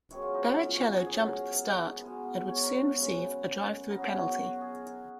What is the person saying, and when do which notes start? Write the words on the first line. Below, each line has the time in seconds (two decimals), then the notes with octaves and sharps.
Barrichello jumped the start, and would soon receive a drive-through penalty.
0.11 F#2 D#3 G#3 B3 C#5
0.22 F4
0.34 D#4
0.47 D#4
0.58 F4
0.70 F#4
0.82 A#4
0.94 G#4
1.06 G#2 F#3 B3 G#4
1.29 A#4
2.00 B2 G#3 B3
2.48 C#5
2.63 A#4
2.72 B4
2.96 F#2 C#3 G#3
3.90 B2 F#3 B3 A#4
4.02 G#4
4.14 F#4
4.26 D#4
4.38 F#4
4.61 G#4